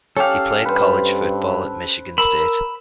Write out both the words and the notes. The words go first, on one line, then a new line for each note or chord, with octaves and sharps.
He played college football at Michigan State.
C#4 G4 A4 F5
G2 B4 C5
A#4 B5 E6